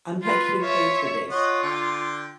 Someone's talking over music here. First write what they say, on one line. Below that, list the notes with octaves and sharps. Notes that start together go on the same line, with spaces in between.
I'm not getting paid for this,
F4 B4
F4 C#5 E5
F4 C#5 D#5 F#5
D3 G5 D6